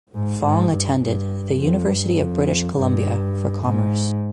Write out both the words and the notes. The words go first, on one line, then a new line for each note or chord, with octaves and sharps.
Fong attended the University of British Columbia for commerce.
G#2
G#2
G2
G2
F2
G2
F2
G2
G#2